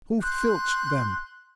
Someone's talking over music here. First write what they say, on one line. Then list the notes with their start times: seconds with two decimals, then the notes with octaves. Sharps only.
Who filched them?
0.20 C6 F#6 G6